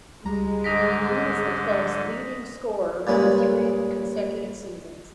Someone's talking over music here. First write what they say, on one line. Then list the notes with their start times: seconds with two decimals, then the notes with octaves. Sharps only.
He was the club's leading scorer for three consecutive seasons.
0.25 C#2 G3 G#3 A#5
0.64 G#2 D3 D#5 D#6 A#6 B6 D7
3.07 G2 A#2 C#3 G#3